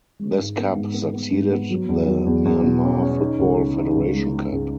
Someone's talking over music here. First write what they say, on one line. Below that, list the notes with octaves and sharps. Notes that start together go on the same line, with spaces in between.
This cup succeeded the Myanmar Football Federation Cup.
G#3
G#2
B3
G#2
B3
B3
G#2
B3
F#3
E2
F#3
E2
E2
B2
C#4
C#4
D#4
C#2
D#4
D#4
C#2
G#3
D#4
C#2